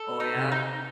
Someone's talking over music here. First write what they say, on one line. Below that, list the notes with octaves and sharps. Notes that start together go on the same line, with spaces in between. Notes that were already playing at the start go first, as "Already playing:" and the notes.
Oh, yeah.
Already playing: A4
D#4
C3
D#4